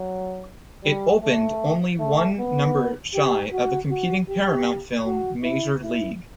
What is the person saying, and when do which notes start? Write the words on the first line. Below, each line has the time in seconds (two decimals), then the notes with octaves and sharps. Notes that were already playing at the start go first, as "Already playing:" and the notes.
It opened only one number shy of a competing Paramount film, "Major League".
Already playing: F#3
0.83 G3
1.22 A3
1.99 A3
2.38 B3
3.14 G4
3.52 F#4
3.90 F#4
4.29 G4
5.06 F#4
5.44 E4
5.83 E4